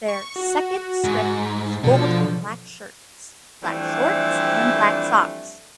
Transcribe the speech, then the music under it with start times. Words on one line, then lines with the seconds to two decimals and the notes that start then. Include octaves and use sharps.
Their second strip is gold and black shirts, black shorts and black socks.
0.08 C#6
0.36 F#4
1.04 G#2
1.84 B2 F3 D4 A4
3.63 E3 F3 G3 A3 C4 D4